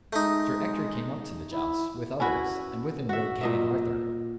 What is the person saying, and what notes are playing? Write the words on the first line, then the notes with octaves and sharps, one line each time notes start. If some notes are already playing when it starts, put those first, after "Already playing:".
Sir Ector came up to the jousts, with others, and with him rode Kay and Arthur.
G#3 A3 D#4
E4
C#4 E4 F#4 B4
F#4 E5
A#2 D#5 E5